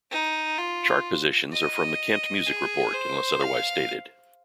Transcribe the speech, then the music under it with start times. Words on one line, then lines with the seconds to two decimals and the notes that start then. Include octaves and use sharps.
Chart positions are from the Kent Music Report unless otherwise stated.
0.11 D#4
0.58 F4
1.52 D#5
2.46 G#4
2.94 C5
3.41 F5